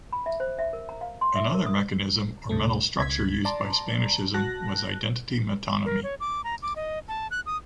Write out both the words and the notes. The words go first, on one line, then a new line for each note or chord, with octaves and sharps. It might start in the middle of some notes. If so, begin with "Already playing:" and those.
Another mechanism or mental structure used by Spanishism was identity metonymy.
B5
E5
C5
E5
A#4
A#5
F5
C6
E5
A#4
D#6
D2 G#2 C3 A3
C#2 G#6 B6
D5 A5 A#5 C6
F#4 A5 F#6 A#6
A#4
C#5
D6
A#5
D6
D#5
A5
F#6
D#6